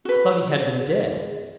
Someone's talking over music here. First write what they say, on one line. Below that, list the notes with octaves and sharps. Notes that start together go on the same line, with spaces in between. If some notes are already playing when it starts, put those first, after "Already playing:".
I thought he had been dead!'
F#4 G#4 B4